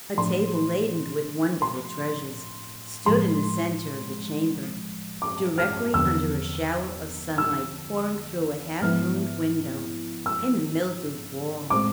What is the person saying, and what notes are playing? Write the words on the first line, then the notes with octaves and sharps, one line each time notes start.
A table laden with wonderful treasures stood in the centre of the chamber, directly under a shower of sunlight pouring through a half-ruined window in the mildewed wall.
A2 F3 A3 D4 C6
C6
A2 F3 G#3 C6
D6
F6
E2 D3 F3 B3 E6
E6
G#2 F3 B3 E4 F6
E6
A2 G#3 C4 D6